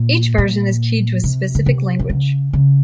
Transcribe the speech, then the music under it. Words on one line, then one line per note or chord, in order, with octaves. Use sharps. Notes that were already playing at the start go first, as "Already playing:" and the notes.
Each version is keyed to a specific language.
Already playing: A#2
A#2
C3
C#3
C3
E3
C#3
C#3